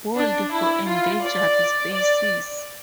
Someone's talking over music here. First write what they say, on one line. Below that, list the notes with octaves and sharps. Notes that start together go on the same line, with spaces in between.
Bold for endangered species.
D4
E4
F4
D5
D5